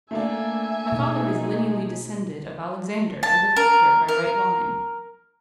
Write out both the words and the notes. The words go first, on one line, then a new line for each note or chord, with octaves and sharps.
My father is lineally descended of Alexander and of Hector by right line.
A3 A#3 D4 E5 G#5
B2 D#4 G#4
A5
A#4
A#4